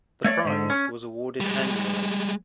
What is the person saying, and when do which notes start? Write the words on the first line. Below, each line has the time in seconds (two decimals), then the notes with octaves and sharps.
The prize was awarded annually.
0.24 A3 C#5 D5
0.45 G#2 D3
0.70 C#4
1.40 G3 G#3